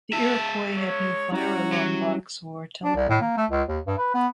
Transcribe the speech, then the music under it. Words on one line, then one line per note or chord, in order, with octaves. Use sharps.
The Iroquois had no fire alarm box or telephone.
G#3 E5 A5
C#5
G3 C#4 E4 F#4 C#5 A#5
F#3
D4
C2
A2
A#3
A3
C#2
D#2
G2
B4
B3